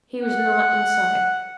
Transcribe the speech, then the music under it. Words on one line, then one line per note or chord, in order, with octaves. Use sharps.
He was not in sight.
F#5